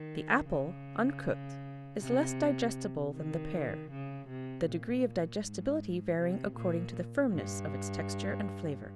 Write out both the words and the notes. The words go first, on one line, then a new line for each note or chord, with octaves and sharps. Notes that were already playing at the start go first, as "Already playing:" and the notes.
The apple, uncooked, is less digestible than the pear; the degree of digestibility varying according to the firmness of its texture and flavour.
Already playing: D#3
C#3
C3
D#3
C#3
C3
A#2
G#2
C3
A#2
G2